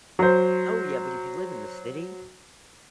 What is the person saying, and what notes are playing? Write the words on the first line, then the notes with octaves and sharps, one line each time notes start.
Oh, yeah, but if you live in the city,
F#3 C5